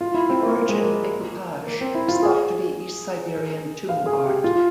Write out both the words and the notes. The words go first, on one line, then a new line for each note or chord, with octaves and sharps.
The origin of decoupage is thought to be East Siberian tomb art.
F4
E4
C4
A#3
A#3
G#3
A#3
A#3
C4
E4
F4
G#4
F5
G#4
G4
F4